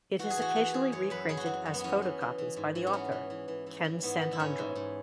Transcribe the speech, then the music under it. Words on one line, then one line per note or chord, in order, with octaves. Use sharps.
It is occasionally reprinted as photocopies by the author, Ken Saint Andre.
E3 F#4
G#4
E3 F#4
E3
E3 G#4
F#2 C#5
F#2 B4
F#2 G#4
F#4
E3 G#4
F#2
B3
E3 C#4
E3
E3
E3
G#2
E3
C#4
E3 B3
E3
E3
E3
E3
E3
G#2 B3
E3
E4
G#2 C#4
G#2
G#2